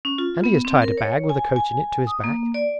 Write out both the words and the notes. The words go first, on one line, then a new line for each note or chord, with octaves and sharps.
'And he has tied a bag with a coat in it to his back.'
C#4
F4
B3
C4
A#4
C#5
G#5
G#5
D#6
A#3
D5